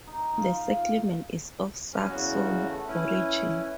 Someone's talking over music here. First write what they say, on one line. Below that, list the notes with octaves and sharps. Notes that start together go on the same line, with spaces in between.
The settlement is of Saxon origin.
D#4
F4
F5
F#2 C#4
E2 C#3 F#4
A3
C#4 E4 B4